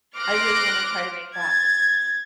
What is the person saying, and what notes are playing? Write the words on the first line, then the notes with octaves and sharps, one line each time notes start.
I really wanna try to make that.
C6 D6 F6 F#6 A#6 D7
G#6 A6